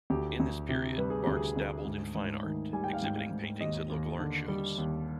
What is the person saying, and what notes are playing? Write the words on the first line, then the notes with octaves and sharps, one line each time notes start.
In this period Barks dabbled in fine art, exhibiting paintings at local art shows.
D2 G4
D2
C3
G3 B4
G#4
D2 G4
G#4
D2
G#2
G#2
D#3
G3 G#5
G5
F5
G#2 G5
F5
G#2
D#2 D#5
D#2
D3
G3
D#2